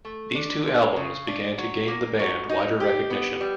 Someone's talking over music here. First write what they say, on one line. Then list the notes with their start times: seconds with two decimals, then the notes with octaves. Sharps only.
These two albums began to gain the band wider recognition.
0.05 A3
0.35 D4
0.67 F3
0.96 C#3
1.28 D4
1.58 F#3
1.88 A#3
2.19 F#3
2.49 D#4
2.80 G4
3.10 B3
3.41 G3